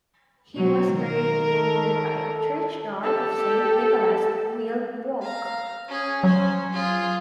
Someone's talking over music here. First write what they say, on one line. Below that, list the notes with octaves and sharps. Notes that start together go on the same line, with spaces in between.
He was buried in the nearby churchyard of Saint Nicholas, Millbrook.
B2 F#3
D#3 A#4
A4
G4 A4
F5 A#5
C#4 G#4
F#3 C#4 C5
F4 G#4